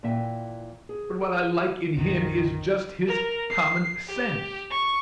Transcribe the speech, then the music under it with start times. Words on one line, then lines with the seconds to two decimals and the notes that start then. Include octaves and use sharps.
But what I like in him is just his common sense.
0.03 A#2 E3 E5 G5
0.89 G#4
1.97 B1 F#2 A#2 D#3
3.08 A#4
3.51 C7
4.08 G4
4.70 C#6